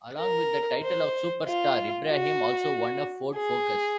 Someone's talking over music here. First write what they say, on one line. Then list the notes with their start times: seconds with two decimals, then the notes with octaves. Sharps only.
Along with the title of Super Star, Ibrahim also won a Ford Focus.
0.19 A#4
0.81 C5
1.45 F4
2.08 F#4
3.34 G#4